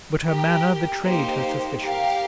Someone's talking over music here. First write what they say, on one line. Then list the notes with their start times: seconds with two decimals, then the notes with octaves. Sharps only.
But her manner betrayed her suspicions.
0.27 G4 A#4 G5
1.04 A#3 D#4 G4 C5
1.82 G4 A#4 F5